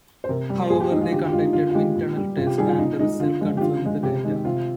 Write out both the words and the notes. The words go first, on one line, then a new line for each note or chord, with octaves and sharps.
However they conducted wind-tunnel tests and the results confirmed the data.
C5
C3 A#4
G3
A#2 G#4
G4
F3 G#3 D#4
F4
D3 G4
F4
G4
G#3 F4
D#4
D3 F4
F4
G#3 G4
A#2
G3
C3 F4
G4
D#3 G3 G#4
F4
A#2 D#4
G#3 D#4
D3 F4
F3 G#3
G4
D3 F4
F3 G#3
C3 G4
D#3 G#3
C3 F4